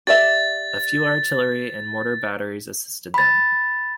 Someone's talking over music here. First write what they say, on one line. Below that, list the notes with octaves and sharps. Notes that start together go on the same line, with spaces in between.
A few artillery and mortar batteries assisted them.
G4 D5 E5 A6
B5 A6